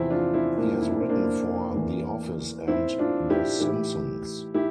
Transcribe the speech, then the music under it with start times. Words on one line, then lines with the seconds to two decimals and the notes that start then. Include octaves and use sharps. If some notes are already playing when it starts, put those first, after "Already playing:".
He has written for "The Office" and "The Simpsons".
Already playing: E2 C3 F3 C4 E4
0.10 D4 F4
0.34 C4 E4
0.57 A#3 D4
0.81 E4
0.91 D4
1.00 C4
1.09 A#3 D4
1.75 E2 E3
2.68 C4 E4
2.98 D4 F4
3.30 E4 G4
3.60 A2 E3 E4 G4
4.54 E4 G4